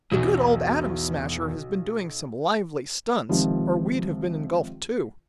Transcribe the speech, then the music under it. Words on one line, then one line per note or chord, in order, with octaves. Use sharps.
The good old Atom Smasher has been doing some lively stunts, or we'd have been engulfed too.
B1 E2
C#2 C3 D#3 F3